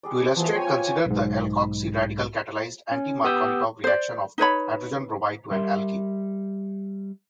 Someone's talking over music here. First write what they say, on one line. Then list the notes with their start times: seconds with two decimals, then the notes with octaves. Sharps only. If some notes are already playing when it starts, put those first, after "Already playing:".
To illustrate, consider the alkoxy radical-catalyzed, anti-Markovnikov reaction of hydrogen bromide to an alkene.
0.03 G3 G#4 D5
0.36 E3 F3 B3 G#4
0.53 C#5 G5 G#5 C6
0.66 B4 F5
1.06 B1 G#2
2.92 C#4
3.24 B3 G4 D#6 E6 G6
3.84 C5 D5
4.38 D#4 B4 C#5 B5
5.51 G3 A#4 E5 C6